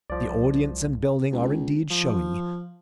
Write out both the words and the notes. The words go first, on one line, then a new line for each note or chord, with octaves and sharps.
The audience and building are indeed showy.
C2 F3 D5
C#2
F3